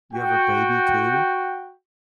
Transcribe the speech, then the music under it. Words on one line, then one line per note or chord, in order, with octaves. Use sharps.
You have a baby too?
F#4 G5